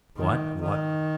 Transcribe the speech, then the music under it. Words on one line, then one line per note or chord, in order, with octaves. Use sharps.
What, what!
D#3
D#3